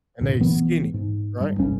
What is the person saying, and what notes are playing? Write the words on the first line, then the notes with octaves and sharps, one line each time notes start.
and they skinny, right?
C#2 G2 A#2 D3
B1 E3 B3
G#2
G2
G1 C2 G2 C#4